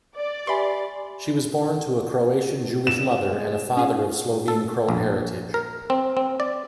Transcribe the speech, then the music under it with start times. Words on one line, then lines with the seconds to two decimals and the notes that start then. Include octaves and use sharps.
She was born to a Croatian Jewish mother, and a father of Slovene-Croat heritage.
0.15 D5
0.47 G4 B4 E5 G#5 B5 C6
2.87 G2 E7
3.21 G#3
3.77 C#4 F4 G#4
4.48 A4
4.89 A#1
5.54 A#4
5.90 C4
6.17 C4
6.40 D5